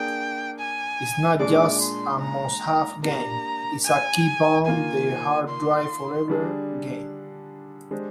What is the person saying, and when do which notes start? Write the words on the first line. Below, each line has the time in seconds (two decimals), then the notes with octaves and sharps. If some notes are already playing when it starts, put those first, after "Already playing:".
It's not just a must-have game; it's a keep-on-the-hard-drive-forever game.
Already playing: A#3 D4 G#4 G5
0.58 G#5
1.40 A#2 G#3 D4 G#4 D5 D6
1.80 C6
2.21 A#5
3.02 A#3 D4 G4 A#5
3.84 G#5
4.65 D#3 A#3 F4 G#5
5.47 C6
6.28 D3 G3 D4 G#4
7.91 G#3 D4 G4 C5